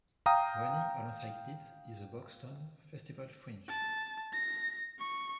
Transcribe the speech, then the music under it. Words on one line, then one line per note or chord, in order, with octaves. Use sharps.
Running alongside it is the Buxton Festival Fringe.
F5 G5 A#5 D#6
A5
A#6
C#6